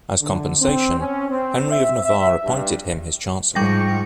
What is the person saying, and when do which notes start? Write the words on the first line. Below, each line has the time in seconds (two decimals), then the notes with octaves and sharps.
As compensation, Henry of Navarre appointed him his chancellor.
0.21 D3
0.60 C4
0.99 C#4
1.29 C4
1.71 E5
2.04 E5
2.43 G2
3.55 G#2 F3 G3 G5 C#6 A#6